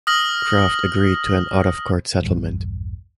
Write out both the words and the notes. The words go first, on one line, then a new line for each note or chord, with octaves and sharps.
Kraft agreed to an out-of-court settlement.
D#6 F6 A#6 F#7
A#1 E2 G2